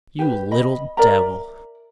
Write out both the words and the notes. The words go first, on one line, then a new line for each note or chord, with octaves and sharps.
"You little devil!"
G4 B4
D#5 B5
A#4 D5 E5 A#5